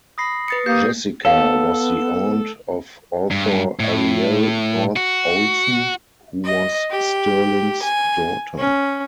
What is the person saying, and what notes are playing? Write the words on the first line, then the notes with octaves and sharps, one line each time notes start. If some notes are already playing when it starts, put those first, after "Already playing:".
Jessica was the aunt of author Arielle North Olson who was Sterling's daughter.
B5 D#6 A#6 C7
B4 D#6 A6 C#7
A#3 G4 D#6 G6 C7
B3 A4 C#5 F5 G5
G2
A2
F#4
D#5
G4
G#5
C#4